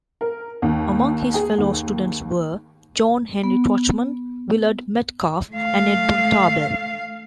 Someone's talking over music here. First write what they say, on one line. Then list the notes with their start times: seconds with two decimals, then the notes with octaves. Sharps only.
Among his fellow students were John Henry Twachtman, Willard Metcalf, and Edmund Tarbell.
0.21 A#4
0.62 D#2
1.34 G#4
1.58 D#2
3.44 B3
5.52 A3 F5